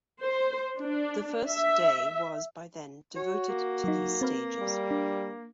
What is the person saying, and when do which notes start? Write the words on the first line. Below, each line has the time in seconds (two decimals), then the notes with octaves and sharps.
The first day was, by then, devoted to these stages.
0.23 C5
0.78 D4
1.49 E5
3.16 F#4 C#5
3.49 A#3
3.84 F#3 D#4
4.21 C4 B4 F5
4.59 G3
4.91 D4